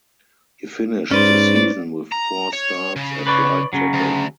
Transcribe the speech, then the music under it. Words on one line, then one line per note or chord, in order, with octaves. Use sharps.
He finished the season with four starts at right tackle.
G#2 C#4 B4 C5 D5
A#5
C#5
C#3
B4 C#5 D5
C#3 F#3
D2